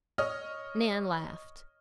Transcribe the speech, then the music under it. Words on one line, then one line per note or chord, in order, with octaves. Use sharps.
Nan laughed.
C#5 D#5 D#6 F6